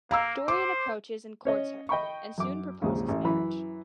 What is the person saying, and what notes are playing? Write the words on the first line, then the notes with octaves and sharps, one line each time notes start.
Dorian approaches and courts her, and soon proposes marriage.
A#3 F5 A#5 E6
C5 D6
C#4 C#5 D#5
D#5 G5 B5 C#6
F#2 D6
A#1 D#2 G#2 C#3
A1
F#2 E3 B5